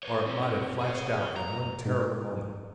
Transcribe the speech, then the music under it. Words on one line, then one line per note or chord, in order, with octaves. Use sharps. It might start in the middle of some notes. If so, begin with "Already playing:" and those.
Or it might have flashed out in one terrible moment.
B4 C#5
C4 C#4
G#4 C#5
A#5
G#2